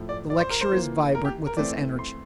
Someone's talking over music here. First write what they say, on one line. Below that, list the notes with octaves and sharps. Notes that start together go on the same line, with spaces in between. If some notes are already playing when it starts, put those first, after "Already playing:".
The lecture is vibrant with his energy.
Already playing: A2 F3 A3
D5
D5
C5
A#4
C5
E3 A#3 F4
A#4
G4
A#4
E3 A3 C4 D5
C6